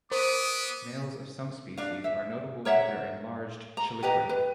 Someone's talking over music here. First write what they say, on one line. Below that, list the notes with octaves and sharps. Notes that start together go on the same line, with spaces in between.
Males of some species are notable for their enlarged chelicerae.
B3 A#4 C5 D6 D#6
D4 F5
E5
A#4 C#5 E5 F#5
A#5
G4 B4 D#5 A#5
B4